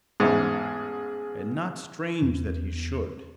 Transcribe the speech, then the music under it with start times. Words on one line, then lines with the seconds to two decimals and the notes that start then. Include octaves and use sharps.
And not strange that he should.
0.20 A1 E2 G#2 G#4
2.22 E2